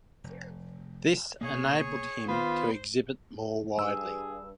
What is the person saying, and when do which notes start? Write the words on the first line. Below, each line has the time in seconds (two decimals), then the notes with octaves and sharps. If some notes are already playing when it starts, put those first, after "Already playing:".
This enabled him to exhibit more widely.
0.24 F1
1.41 C2 B2 A#3 G#4 C#5
2.28 D#3 B3 F4 C5
3.79 G2 G#4 E6